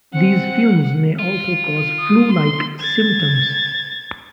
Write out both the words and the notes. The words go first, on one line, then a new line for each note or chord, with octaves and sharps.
These fumes may also cause flu-like symptoms.
C4 F#5 C#7
F4
D#6
C6
G#6 A6